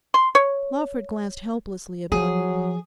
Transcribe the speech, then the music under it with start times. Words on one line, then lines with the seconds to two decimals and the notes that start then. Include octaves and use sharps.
Lawford glanced helplessly about him.
0.14 C6
0.35 C#5
2.12 F3 F#3 G#4